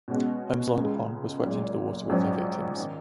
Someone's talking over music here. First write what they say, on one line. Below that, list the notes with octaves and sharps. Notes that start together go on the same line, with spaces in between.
Homes along the pond were swept into the water with their victims.
B2 G#3 C#4 F#4
C#2 C#3 G#3
B1 A#2 G#3
A#1 G#2 F#3 C#4
D#3